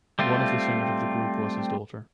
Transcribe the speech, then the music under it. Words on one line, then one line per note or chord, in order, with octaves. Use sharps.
One of the singers of the group was his daughter.
G3 A3 C4 F4